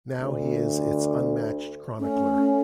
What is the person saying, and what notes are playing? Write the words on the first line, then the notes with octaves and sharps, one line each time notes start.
Now he is its unmatched chronicler.
D2
A3 C#4